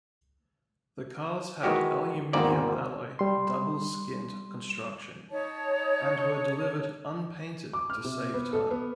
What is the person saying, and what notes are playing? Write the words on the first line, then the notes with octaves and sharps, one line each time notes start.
The cars had an aluminium-alloy double-skinned construction, and were delivered unpainted to save time.
D#3 E3 G#3 F#4 G4
G#1 E2 G#2 A#3 F#4 D5
G3 C6
D#4 C#5 A5
D6
F6
C3
B3
A4
B3